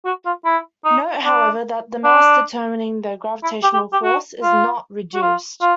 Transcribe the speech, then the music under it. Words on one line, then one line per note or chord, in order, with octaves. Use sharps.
Note, however, that the mass determining the gravitational force is "not" reduced.
F#4
F4
E4
D#4
D4
D4
E4
G4
G4
G4
F#4
F4
F#4
F4
F4